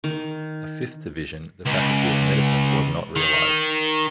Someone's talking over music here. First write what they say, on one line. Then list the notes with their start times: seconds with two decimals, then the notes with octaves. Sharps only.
A fifth division, the Faculty of Medicine, was not realized.
0.04 D#3
1.66 C#2
3.16 D#3